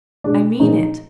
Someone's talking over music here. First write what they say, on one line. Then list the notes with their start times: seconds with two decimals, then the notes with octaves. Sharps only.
I mean it.'
0.24 B2 G#3 D4
0.60 A#2 F3 G#3 D#4